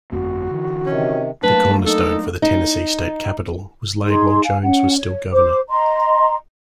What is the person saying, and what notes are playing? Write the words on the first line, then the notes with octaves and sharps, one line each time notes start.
The cornerstone for the Tennessee State Capitol was laid while Jones was still governor.
G1 F2 A3 F#4
D3 E3
C3 D#3 C#4
F#3 A3 A#3 D4 B4 A5
D#4 A4
D#4
D#4 G#4 C6
F5 G#5
C#4 F#5
C#5
C5 D6
D#5 A#5 C6